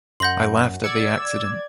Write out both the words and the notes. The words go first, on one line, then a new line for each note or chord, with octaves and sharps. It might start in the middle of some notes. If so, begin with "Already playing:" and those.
I laughed at the accident.
F#2 F#5 C6 G6 A#6 F#7
D5 E6 G#6 C#7